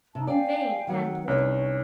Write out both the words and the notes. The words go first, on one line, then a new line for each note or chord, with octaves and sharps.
In vain Anne pleaded.
C3 D#4 A5
D5 F5 G5 G#5
D#3 F#3 C4 F#5
C2 C#4 D#4 B4 C#5